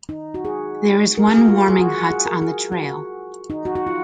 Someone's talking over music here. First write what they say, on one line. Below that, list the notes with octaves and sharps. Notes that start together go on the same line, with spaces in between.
There is one warming hut on the trail.
D#4
F#4
G#4
A#4
G#4
F#4
F4
G#4
F#4
G#4
A#4
G#4
F#4
D#4
F#4
F#4
F4